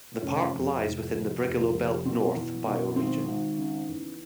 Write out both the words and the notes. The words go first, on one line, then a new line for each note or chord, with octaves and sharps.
The park lies within the Brigalow Belt North bioregion.
F1 C#4
F2
F1
F1
F1
F1
B2 C4
E2
B2
G#1 C4
G#1
C#3
E2